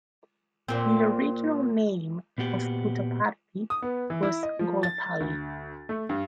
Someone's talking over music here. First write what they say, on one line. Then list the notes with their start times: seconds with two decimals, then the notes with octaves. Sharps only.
The original name of Puttaparthi was Gollapalli.
0.68 A#2 C4
2.38 A#2 B3 F#4 G4
3.70 D#6
3.82 B3
4.10 E3
4.23 E4
4.43 D#5
4.59 F3
4.83 A6
5.20 D2
5.89 A3
6.09 G2